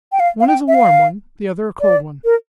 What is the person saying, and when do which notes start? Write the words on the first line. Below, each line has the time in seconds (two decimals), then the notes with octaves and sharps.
"One is a warm one, the other a cold one!"
0.12 G5
0.20 F5
0.40 F5
0.48 G5
0.68 E5
0.74 F5
1.81 D5
2.25 A#4